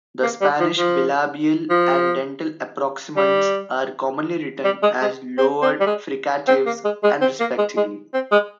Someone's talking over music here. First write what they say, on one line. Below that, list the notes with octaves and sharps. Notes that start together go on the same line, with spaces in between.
The Spanish bilabial and dental approximants are commonly written as lowered fricatives, and respectively.
A#3
G3
F3
F3
F3
G3
G3
G#3
G#3
C4
C4
G3
G#3
C4
A#3
G#3
G#3
C4
A#3
G#3
G#3
C4
G#3